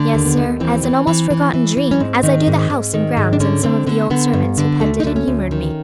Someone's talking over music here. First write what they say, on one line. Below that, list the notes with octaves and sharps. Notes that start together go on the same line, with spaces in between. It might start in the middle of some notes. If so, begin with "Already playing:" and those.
"Yes, sir, as an almost forgotten dream, as I do the house and grounds and some of the old servants who petted and humored me."
Already playing: D3 A3
D#2
B3
D#2
E3 C4
E3
E3
E3
E3
E3
C#4
G#2 C4
D#3
G#2
G#2
D#3
G#2
D4
D3 C#4
D3 C4
D3 B3
D3 B3
G2
D3
D2 A3
D#4
D2 D4
C#4
D2
D#3